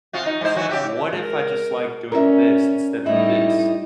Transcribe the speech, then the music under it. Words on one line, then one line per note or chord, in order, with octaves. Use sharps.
What if I just like doing this instead of this?"
C3 F4 F#4
D#4
G#2 E4 C5
E3 F#3 F#4
C#3 G4 E5
G#3 A#4
C#4 A#4 D5 E5
A2 G3 D#4 E4